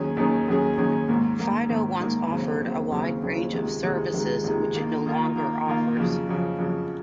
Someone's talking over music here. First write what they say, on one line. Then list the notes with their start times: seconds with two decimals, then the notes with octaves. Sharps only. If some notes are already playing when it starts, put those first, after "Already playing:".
Fido once offered a wide range of services which it no longer offers.
Already playing: D#2 D#3 F#3 C#4 G#4
0.17 D#2 D#3 F#3 C#4 G#4
0.48 D#2 D#3 F#3 C#4 G#4
0.78 D#2 D#3 F#3 C#4 G#4
1.08 G#2 D#3 A#3
1.39 G#2 D#3 A#3
1.69 G#2 D#3 A#3
2.00 G#2 D#3 A#3
2.30 D#2 C#3 F#3 C4
2.61 D#2 C#3 F#3 C4
2.92 D#2 C#3 F#3 C4
3.22 D#2 C#3 F#3 C4
3.53 C#2 C3 D#3 G#3
3.83 C#2 C3 D#3 G#3
4.14 C#2 C3 D#3 G#3
4.44 C#2 C3 D#3 G#3
4.75 D#3 A#3 F4
5.06 D#3 A#3 F4
5.36 D#3 A#3 F4
5.67 D#3 A#3 F4
5.97 F2 C#3 F#3
6.27 F2 C#3 F#3
6.59 F2 C#3 F#3